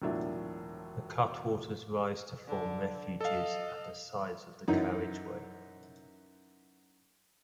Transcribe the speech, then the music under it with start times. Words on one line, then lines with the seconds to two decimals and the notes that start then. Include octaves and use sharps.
The cutwaters rise to form refuges at the sides of the carriageway.
0.02 E1 A2 F3 F#3 D4 E5
2.48 D3
3.21 A4 D#5 F5
4.68 F#2 E3 D#4